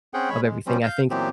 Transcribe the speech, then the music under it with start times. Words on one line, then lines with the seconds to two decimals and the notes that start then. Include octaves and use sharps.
of everything I think,
0.14 C4 C#4 G#4 F#5 G5
0.30 G#3 C#5 B5
0.43 G#3
0.67 F3 G3 C4 C#4
0.83 F5 G6
1.10 A#2 E3 F#3 B3 C4 G4